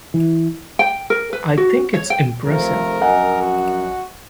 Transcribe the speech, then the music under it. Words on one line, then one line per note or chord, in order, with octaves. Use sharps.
I think it is impressive.
E3
G5
A#4
B4
F#4
C#5
G5
A#1 C3 F3 A3 A#4
F#2 D#5 F#5 G#5
F#4